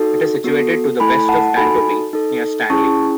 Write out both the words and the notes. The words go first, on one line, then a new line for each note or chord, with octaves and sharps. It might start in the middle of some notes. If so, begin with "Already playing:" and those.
It is situated to the west of Tantobie, near Stanley.
Already playing: D#4 F#4 A4
B3 F#4 A4
A3 E4 A4 G#5 B5
F#5 A5
D#4 F#4 A4 G#5 B5
D#4 A4
C#4 E4 G#4 A5 C#6